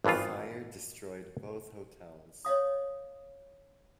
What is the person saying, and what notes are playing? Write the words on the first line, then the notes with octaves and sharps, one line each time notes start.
Fire destroyed both hotels.
G#1 G2 E3 B3 F4
C#5 D#5 F5 D#6